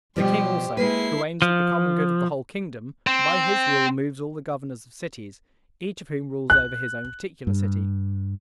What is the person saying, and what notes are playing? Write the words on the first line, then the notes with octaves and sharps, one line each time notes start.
The king also, who aims at the common good of the whole kingdom, by his rule moves all the governors of cities, each of whom rules over his own particular city.
B2 F3 G3 G4 C5
G#3 A#3 E4 B4 C7
F3
C4
F#6
G2